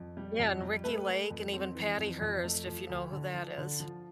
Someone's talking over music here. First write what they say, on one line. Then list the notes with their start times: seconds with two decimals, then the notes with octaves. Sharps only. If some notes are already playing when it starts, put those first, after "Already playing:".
Yeah, and Ricki Lake, and even Patty Hearst, if you know who that is.
Already playing: F2
0.17 G3
0.39 F2
0.62 G3
0.84 A3 B4
1.07 A3
1.31 F2
1.53 C4
1.75 E3
1.98 F2
2.22 F2
2.44 A3
2.67 F3
2.89 D2
3.12 D3
3.34 F3
3.58 D3
3.80 F3